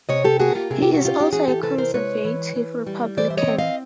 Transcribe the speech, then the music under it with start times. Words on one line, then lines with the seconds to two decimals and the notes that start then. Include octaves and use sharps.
He is also a conservative Republican.
0.09 C3 C#5 D#5
0.24 G4 A4
0.39 A#3 F#4 G#4
0.55 F4 G4
0.71 C3 G#4
0.82 G4
0.93 F#4
1.02 C#4 F4 G4
1.20 G4
1.32 E3 F#4 G#4
1.48 G4 A4
1.63 C3 A4 B4
1.78 A#4 C5
1.94 G#3 B4 C#5
2.25 E3
2.56 E3
2.87 G3
3.17 E3 C5 D5
3.30 E5
3.37 C#5 D#5
3.48 C4
3.58 D#5 F5